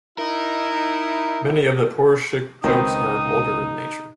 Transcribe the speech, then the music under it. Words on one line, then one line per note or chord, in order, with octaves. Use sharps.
Many of the Poruchik jokes are vulgar in nature.
D#4 E4 A#4
C#2 D#3 C4 D#4 B4 D#6